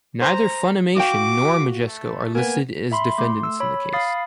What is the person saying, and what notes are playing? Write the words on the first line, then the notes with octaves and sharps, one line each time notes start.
Neither Funimation nor Majesco are listed as defendants in the case.
C5 A#5
F#4 F5 G5 D6
A3
A#3 B3 G#5
E5 B5 C6
A3 C6
E6
C#5 B5
F5 B5 D#6 A6 C7